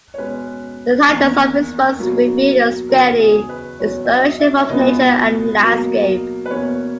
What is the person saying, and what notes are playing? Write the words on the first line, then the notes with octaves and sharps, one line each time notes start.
The titles of his works reveal a steady inspiration from nature and landscape.
C#5
B2 G#3 C#4 B4
E2 D#3 A#3
B2 F#3 A#3
E2 C#3 F#3 A#4
G#4
B4
E2 B2 F#3 C#4 C#5
E5
D#5
E5
C#5
C#2 B2 G#3 B3 D#5
B2 F#3 A#3
B4
E2 B2 A#3 C#4 C#5